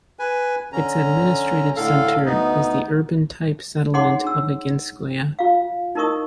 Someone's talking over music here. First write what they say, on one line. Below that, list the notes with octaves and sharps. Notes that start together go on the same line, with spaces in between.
Its administrative center is the urban-type settlement of Aginskoye.
B4 G#5
D3 C#4 A#5
A2 D3 A4 F5
D2 B3 D#4
D#4 G#4 C#5 F#5 C6 D6
D4 E6
F4 F5
D#4 E4 A#4 D#5 C#6 D#6